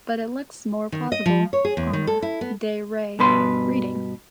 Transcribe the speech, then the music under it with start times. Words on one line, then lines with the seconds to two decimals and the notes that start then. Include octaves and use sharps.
But it looks more plausible on a "de re" reading.
0.92 D#3
1.12 D#5
1.26 F3
1.53 C#5
1.65 G#4
1.77 E2
1.93 D#3
2.07 A4
2.22 E4
2.41 B3
3.19 G2 B2 B4 C6